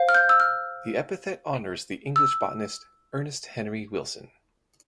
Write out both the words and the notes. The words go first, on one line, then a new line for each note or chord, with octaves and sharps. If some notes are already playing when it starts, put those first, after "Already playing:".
The epithet honors the English botanist Ernest Henry Wilson.
Already playing: C5 F5
F6
G6
E6
F6
E6